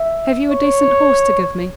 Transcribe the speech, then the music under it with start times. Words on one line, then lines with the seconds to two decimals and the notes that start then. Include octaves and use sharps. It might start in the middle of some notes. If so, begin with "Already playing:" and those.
'Have you a decent horse to give me?
Already playing: E5
0.51 C#5